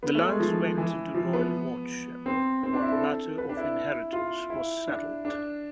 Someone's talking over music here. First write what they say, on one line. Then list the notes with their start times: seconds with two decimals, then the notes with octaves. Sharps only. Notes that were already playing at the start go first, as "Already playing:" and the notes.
The lands went into royal wardship while the matter of inheritance was settled.
0.03 B3
0.15 A3
0.28 G#3
0.40 F3
0.77 E3
1.15 F3
1.33 B3
2.26 C4
2.63 C4
2.73 D4
2.82 E4
2.92 A4
3.38 B4
3.49 D4
3.57 E4
4.13 F4
4.50 E4
4.87 D4
5.25 D4